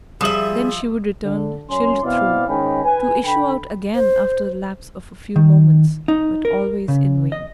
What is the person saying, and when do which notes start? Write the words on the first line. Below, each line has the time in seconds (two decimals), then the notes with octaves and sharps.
Then she would return, chilled through, to issue out again after the lapse of a few moments, but always in vain.
0.21 F3 G3 G#4 E5 D#6 F#7
1.24 D3
1.70 F#2 C#4 C6
2.03 B2 B3 C4 E4 D5 F5
2.48 G#2 D#3 G#3 C#4 G5 B5
2.84 B4 G#5
3.24 D3 G5 B5
3.95 C5
5.36 D#3
6.08 D#4
6.45 A#4
6.88 C#3
7.32 D#5